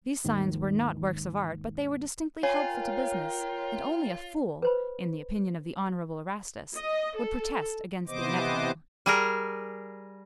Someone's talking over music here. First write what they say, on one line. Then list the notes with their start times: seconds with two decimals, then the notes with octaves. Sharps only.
These signs were not works of art, but they were distinctly helpful to business, and only a fool, in the opinion of the Honorable Erastus, would protest against the inevitable.
0.24 D#2 G#2 D#3
2.43 F4 A#4 C#5 G5 G#5
4.62 B4 C5 B5
6.76 D#5
7.16 A4
8.08 C3 E3 B3 C5 D#5 D6
9.06 G3 G#4 A#4